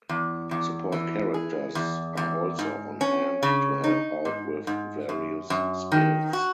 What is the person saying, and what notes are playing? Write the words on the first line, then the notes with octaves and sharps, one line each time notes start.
Support characters are also on hand to help out with various skills.
E2
E2
E3
G#4
E2
E2
G#2
C#4
C#3
D#4
G#2
G#2
F#2
F#2
D#3
F#4